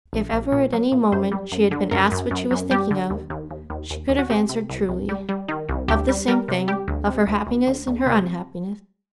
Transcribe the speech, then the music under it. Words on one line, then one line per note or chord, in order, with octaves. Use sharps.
If ever at any moment she had been asked what she was thinking of, she could have answered truly: of the same thing, of her happiness and her unhappiness.
A#1
A#1
A#2
F#3
A#2
F#2 C5
G3
F#2
D3
F#2 A#4
F#2
F#2
F#2
G3 G4
D3
D#2
D#2
D#2
D#2
D#2
D#2
F#4
C3 G4
C3
C2
C2
G3
G3
D#3
C2
D2 G4
G3
G3 A#4
C3
G3 G4
D2
C3
D2
D2
D2
D2
C3